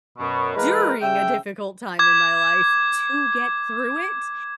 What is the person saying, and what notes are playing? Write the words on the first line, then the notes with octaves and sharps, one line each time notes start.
during a difficult time in my life to get through it
F#2 B2
E3 G#3 A#3 A#4 B4
C#3 E5 G5
D6 G#6